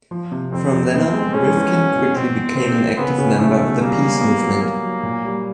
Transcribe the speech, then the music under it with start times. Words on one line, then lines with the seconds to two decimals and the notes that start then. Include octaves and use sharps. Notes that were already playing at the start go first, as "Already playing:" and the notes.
From then on, Rifkin quickly became an active member of the peace movement.
0.11 F3
0.32 C3
0.52 F2 C4
0.73 F2
0.94 B3
1.13 G#3
1.34 G#3 C#4
1.55 E2
1.76 F#3
1.96 B2
2.16 B2 C4
2.37 B2
2.57 A#3 C4
2.78 A#3
2.98 C#3 B3
3.18 C#3
3.39 B1 A3
3.60 B2
3.81 G3 A#3
4.02 G3
4.21 B3
4.42 F#3
4.63 F#3 A#3
4.83 F#3
5.03 A#2
5.25 G3